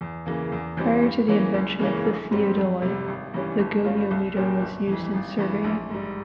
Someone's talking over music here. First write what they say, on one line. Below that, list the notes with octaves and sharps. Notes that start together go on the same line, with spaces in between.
Prior to the invention of the theodolite, the goniometer was used in surveying.
E2
C#3 E3 A#3
E2
E3 G3 C4
G2
E3 A#3 C#4
C#2
C#3 E3 A#3 C#4
A#1
G#2 G3 C4
F2
C3 G3
G#1
G2 E3 G3 C#4
G1
G2 G3 C#4 F4
C2
A#2 G3 C#4 G4
G1
F2 E3
G#1
G2 E3
A#1
G#2 G3